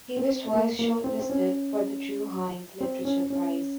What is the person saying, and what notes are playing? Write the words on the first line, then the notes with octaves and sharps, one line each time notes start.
He was twice short-listed for the Drue Heinz Literature Prize.
C4
A#3
A#3
C4
C4
C#4
C4
C#4
C#4